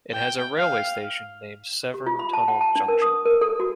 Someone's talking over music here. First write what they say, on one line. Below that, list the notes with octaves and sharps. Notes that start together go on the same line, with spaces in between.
It has a railway station named Severn Tunnel Junction.
G5
F5
G4
F4
B5
A5
F#5
A5
D4
A#4
D#6
A#4
A4
F#4